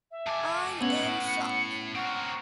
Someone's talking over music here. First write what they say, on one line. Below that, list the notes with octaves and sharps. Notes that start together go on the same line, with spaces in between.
I’m in shock.
E5
F2 G#5 A5 D6
A3 B3 C#4 C#5 F#5 F#7
A2
C#7
C4 A#4 F#5 C#6